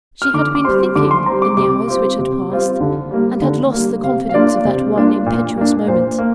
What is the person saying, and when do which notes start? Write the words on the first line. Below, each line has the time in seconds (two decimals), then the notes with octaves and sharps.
She had been thinking in the hours which had passed, and had lost the confidence of that one impetuous moment.
0.22 F6
0.34 D3 D6
0.55 D6
0.65 G3 C4 C6
0.96 D3 D6
1.11 C6
1.26 G3 C4 A#5
1.42 D6
1.57 C3 D6
1.87 G3 C4 F4
2.19 C3
2.50 G3 C4 F4
2.80 D3
3.11 G3 A#3
3.42 D3
3.73 G3 A#3
4.04 C3 F5
4.29 F5
4.34 A#3 D4 F4 D5
4.65 C3
4.96 A#3 D4 F4
5.26 A#2
5.57 A#3 D4
5.88 A#2 C5
6.19 A#3